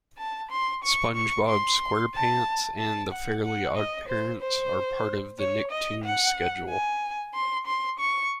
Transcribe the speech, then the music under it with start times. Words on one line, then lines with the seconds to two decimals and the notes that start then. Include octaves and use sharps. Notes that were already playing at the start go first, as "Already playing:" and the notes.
"SpongeBob SquarePants" and "The Fairly OddParents" are part of the Nicktoons schedule.
0.18 A5
0.51 C6
0.84 C#6
1.16 C#6
1.48 C6
2.14 A5
2.79 A5
3.11 F#5
3.44 F#5
3.76 D#5
4.09 C5
4.42 C5
5.39 C#5
5.71 D#5
6.04 F#5
6.69 G#5
7.35 C6
7.67 C6
7.99 C#6